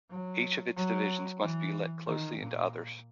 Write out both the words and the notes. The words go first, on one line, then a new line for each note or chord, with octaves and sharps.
Each of its divisions must be let closely into others.
F#3
F#3
E3
D#3
A#2